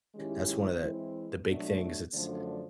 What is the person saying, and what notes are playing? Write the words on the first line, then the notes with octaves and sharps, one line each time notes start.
That's one of the, the big things it's,
D#3 G#3 C#4 E4 G4
E3 G#3 C4 E4
B2 F#3 A3 D4
F#2 D3 F3 A3 D4